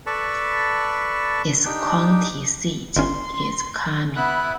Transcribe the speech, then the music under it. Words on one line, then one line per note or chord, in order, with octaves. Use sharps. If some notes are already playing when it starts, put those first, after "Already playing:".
Its county seat is Carmi.
A4 B4 D5 A5 B5 C#6
D4 D#4 G4 G5
G1 C#4 C6
B3 E4 B5 F#6